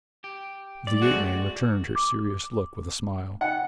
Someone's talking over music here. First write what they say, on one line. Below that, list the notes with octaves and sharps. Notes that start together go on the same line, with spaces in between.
The ape-man returned her serious look with a smile.
G4
G3 D5
G#3 A3 C4 F#4 G#4
D6
D#5 F#5 G5